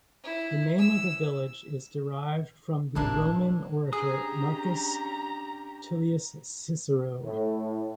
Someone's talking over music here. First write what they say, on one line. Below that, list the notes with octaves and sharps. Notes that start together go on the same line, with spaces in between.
The name of the village is derived from the Roman orator Marcus Tullius Cicero.
E4
E6
A1 A#3 C4 D4 E4
C#4 D4 G4 G#4 A#5 D#6
A2